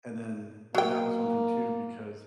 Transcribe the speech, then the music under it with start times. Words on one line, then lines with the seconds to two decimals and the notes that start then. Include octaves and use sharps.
and then, you know, that was one thing too, because,
0.75 F#3 A#3 G5